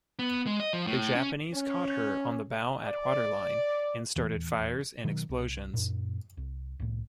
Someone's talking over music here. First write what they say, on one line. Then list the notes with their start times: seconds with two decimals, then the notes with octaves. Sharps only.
The Japanese caught her on the bow at waterline and started fires and explosions.
0.19 B3
0.46 G#3
0.60 D#5
0.73 F3
0.87 A2
1.15 C#4
1.53 C#4
2.84 D5
4.16 D#1 E2 E3
5.05 B2 D#3 F#3
5.29 C2
5.74 F#2 A#2
6.37 C2
6.80 C2 A2